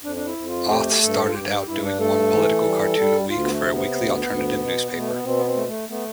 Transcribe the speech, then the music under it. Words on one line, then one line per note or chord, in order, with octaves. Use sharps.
Auth started out doing one political cartoon a week for a weekly alternative newspaper.
F2 D4
D4
E4
F2
F4
A3 G4
G2 A4
F4
G2 G4
G4
G2 E4
D4
A3 A4
E3
G3
G3
D2 F4
B3
A3
C3
B3
D2
D2
B2
B2
A3
B3
B2 C4
B3
C4
A3
A3
A3 B3